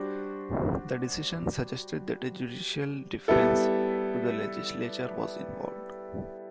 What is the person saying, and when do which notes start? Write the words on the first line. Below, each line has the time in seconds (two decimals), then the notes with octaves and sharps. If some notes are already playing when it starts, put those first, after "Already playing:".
The decision suggested that a judicial deference to the legislature was involved.
Already playing: G3 D4 F#4 C5
3.28 G3 B3 E4 A4